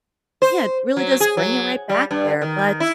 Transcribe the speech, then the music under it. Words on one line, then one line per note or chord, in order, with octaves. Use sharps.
yeah, it really does bring you right back there. But,
C5
F#3
G#4
F#3
G3
G2
D#3
E4